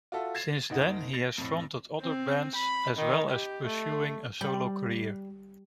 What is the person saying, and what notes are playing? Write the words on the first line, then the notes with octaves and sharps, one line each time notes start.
Since then he has fronted other bands, as well as pursuing a solo career.
F4 F#4 A4 E5
G#6 A6 C7 E7
F#1 D#4 F#5
A6 A#6
F2 A2
C4
B5
D#3
G4
A3
G3